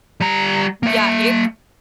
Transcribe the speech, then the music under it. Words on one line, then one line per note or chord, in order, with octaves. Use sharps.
Yeah, it
G3 A#5
A#3 E5